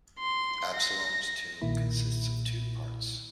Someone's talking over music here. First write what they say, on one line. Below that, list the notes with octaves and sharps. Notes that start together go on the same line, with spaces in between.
Absalom's tomb consists of two parts.
C6
A#6
B1 A#2 D#3 A#3 E4 B5